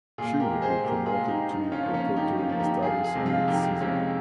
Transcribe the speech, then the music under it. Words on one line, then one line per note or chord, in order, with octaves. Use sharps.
She would be promoted to repertory status mid-season.
A#2 F4 G#4
G4 A#4
G#3
G#4 C5
A#2 G4 A#4
F4 G#4
G#3
D#4 G4
G2 D#4
C#4 F4
F3 A#3
C#4 F4
G2 D#4 G4
C#4 F4
F3 A#3
D#4 G4
F2 F4 G#4
F4 G#4
C3 F3 G#3
F4 G#4
F2 D#4 G4
C3 F3 G#3 C#4 F4